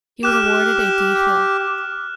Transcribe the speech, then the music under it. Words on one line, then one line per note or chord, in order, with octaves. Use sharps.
He was awarded a D. Phil.
G4 F6 F#6 E7